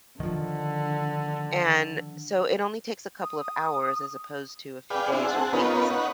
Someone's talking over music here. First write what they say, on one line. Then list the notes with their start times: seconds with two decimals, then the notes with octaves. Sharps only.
And so, it only takes a couple of hours as opposed to a few days or weeks.
0.20 D3 D#3 F3
3.23 D#6
4.90 G#4 B4 D5 F5 G5
5.12 C4 D4 E4 G#4
5.27 C4 G#4 F#5 A5
5.53 B3 C#4 D#4 F4 A#4 B4
5.90 D#4 B4 C#5 F#5